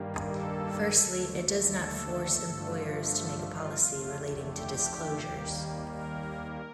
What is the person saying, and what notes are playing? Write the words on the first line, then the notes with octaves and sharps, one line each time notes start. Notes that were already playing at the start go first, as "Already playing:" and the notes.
Firstly, it does not force employers to make a policy relating to disclosures.
Already playing: G2 D#3 G3 A#3
A4
D#2 D3 A3
A4
G2 D3 F3 A3
A4
F4
F2 D3 A3
G4
D#2 D#3 G3 A#3
A#4